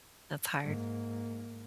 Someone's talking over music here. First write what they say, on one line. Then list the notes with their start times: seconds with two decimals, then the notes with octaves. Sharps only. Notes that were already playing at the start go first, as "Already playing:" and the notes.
that's hard.
0.64 G#2 A#3